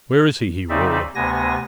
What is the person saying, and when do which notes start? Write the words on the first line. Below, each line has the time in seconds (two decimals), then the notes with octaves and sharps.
"Where is he?" he roared.
0.69 C#3 C4 D#4 D5 E5
1.15 D2 C3 B3 G#5 A#6